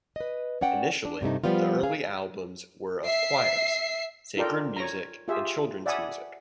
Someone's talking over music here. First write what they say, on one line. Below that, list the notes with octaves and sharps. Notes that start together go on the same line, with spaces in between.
Initially, the early albums were of choirs, sacred music and children's music.
B4 D#5
C#4 D5 F#5 G5
D4
G2 C3 A3 D#4
F3 G3 B3 F4
G#4 F5
E5 C7
D#4 F4 A4 A#4 D5 G5
C#5 A#5
F4 G4 G#4 E5
D5 E5 F#5 G#5 B5 D#6